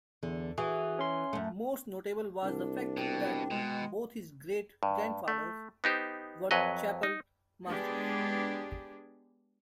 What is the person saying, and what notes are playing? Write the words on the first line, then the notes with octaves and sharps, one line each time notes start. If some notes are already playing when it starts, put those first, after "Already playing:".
Most notable was the fact that both his great-grandfathers were Chapel Masters.
E2 D3
E3 F#4 G#4
C#4 C6
F#2 A3
C2 D4
B2 G5
B2 G#3
G2
A3
B3 D#4 G4 C5
F2 F#3 B4 C#5 D#5
D#4
G#3 B3 D4 G4 G#4